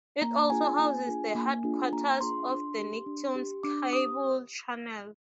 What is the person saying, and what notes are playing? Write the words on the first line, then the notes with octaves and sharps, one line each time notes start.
It also houses the headquarters of the Nicktoons cable channel.
A#3 A#5
D4 F4 G#4 G#5
A#3
D4 F4 G#4
A#3
D4 F4 G#4
A#3 A#5
D4 F4 G#4 C6
D4
G4
D4
G4
D4 D6
G4 D#6